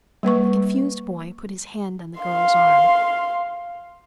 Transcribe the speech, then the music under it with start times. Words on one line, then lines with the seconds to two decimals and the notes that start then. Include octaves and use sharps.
The confused boy put his hand on the girl's arm.
0.23 G3 A#3 B4 C#6
2.21 F5 C6